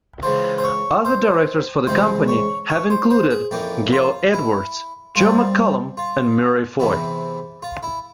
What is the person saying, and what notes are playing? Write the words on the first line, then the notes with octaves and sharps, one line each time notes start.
Other directors for the company have included Gale Edwards, Joe McCallum, and Murray Foy.
C#2 C#3 E3 C5
C5
C#5
C5
C#2 C3 E3 G#3 C5
C#5
C#5
C5
C5
G#4
F2 E3 A#3 C#4 G4
F4
E4
G2 G3 C4 F4
F4
E2 C3 E3 E4
F4
E4